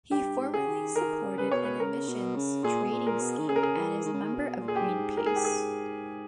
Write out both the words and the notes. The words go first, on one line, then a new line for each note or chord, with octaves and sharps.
He formerly supported an emissions trading scheme and is a member of Greenpeace.
G2 G4
G#2
C#3 G#4
D#3
D#3 A#4
C#3
C#3 B4
B2 C#5
B4
C#3 A#4
B2
C#3
A#2 G#4
B2
A#2
A#4
B2
D#3
C#3 G#4
A#4
G#4
E3
D#3
C#3
D#3
B2
A#2
G#4
G4
G#2
A#4
G#4
G4
G#4